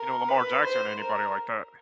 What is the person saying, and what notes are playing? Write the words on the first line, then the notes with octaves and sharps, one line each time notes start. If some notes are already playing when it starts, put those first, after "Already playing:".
you know, Lamar Jackson or anybody like that
Already playing: A#4
B4
C5
A#4